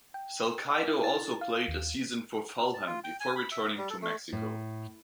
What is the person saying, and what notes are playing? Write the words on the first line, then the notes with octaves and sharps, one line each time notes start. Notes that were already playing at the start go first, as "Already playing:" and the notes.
Salcido also played a season for Fulham before returning to Mexico.
G5
E4
A6
F5
D#2
A5
F4
G5
G#5
B5
E5
G3
A4
A3
A2